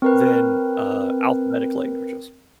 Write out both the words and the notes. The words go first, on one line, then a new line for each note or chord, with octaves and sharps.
then, uh, alphabetic languages.
C4 A#4 B4